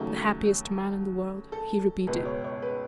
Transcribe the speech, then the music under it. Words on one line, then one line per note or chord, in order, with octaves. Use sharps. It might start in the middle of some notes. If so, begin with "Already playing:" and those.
"The happiest man in the world," he repeated.
Already playing: D#2 C#3 F#3 A3
A4
C#2 B2 G#3 B4
C#5
C#5
B4